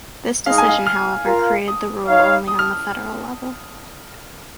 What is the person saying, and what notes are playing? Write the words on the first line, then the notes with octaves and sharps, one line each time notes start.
This decision, however, created the rule only on the federal level.
G#3 D#4 G#4 D#5 F5
G#5
F5
F6
F4 A#4 F5
D#6
D#4 C#5 F5
D#6
F6